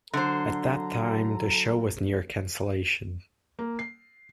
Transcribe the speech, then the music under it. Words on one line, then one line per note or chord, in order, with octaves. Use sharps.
At that time, the show was near cancellation.
D3 F#3 A4 C5 A#5
A#3
C7